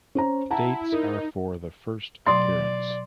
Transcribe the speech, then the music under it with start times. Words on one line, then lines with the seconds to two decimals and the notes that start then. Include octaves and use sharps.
Dates are for the first appearance.
0.15 C#4 C5 A#5
0.50 E4 F#5 A5 A#5
0.92 D#4 A#4
2.27 B2 F#3 D5 C6